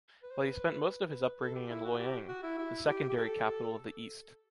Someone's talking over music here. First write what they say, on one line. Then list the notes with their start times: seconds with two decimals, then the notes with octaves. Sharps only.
But he spent most of his upbringing in Loyang, the secondary capital of the East.
0.23 B4
0.31 C5
0.41 B4
1.11 B4
1.41 A4
1.55 G4
1.70 E4
1.84 F#4
1.99 G4
2.29 F#4
2.43 E4
2.58 E4
2.87 G4
3.09 G4
3.17 A4